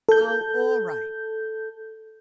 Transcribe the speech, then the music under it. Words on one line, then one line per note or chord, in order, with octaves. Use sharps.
Oh, all right.
A4 G6